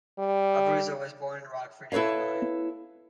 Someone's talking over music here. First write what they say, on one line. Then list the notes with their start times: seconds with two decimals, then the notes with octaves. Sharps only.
Abruzzo was born in Rockford, Illinois.
0.19 G3
1.92 E4 A4 B4 C#5 F5